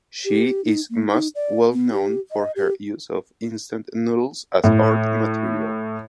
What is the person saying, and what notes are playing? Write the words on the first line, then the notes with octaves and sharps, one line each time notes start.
She is most well known for her use of instant noodles as art material.
G4
D#4
A#3
D#4
D5
B3
G4
D#5
G4
A2